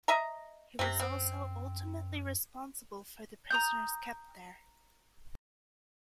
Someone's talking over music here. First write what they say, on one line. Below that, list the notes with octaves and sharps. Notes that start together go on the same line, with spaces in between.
He was also ultimately responsible for the prisoners kept there.
D#5 E5 A#5
F#2 C3 C4
C4
A#5 D#6 G6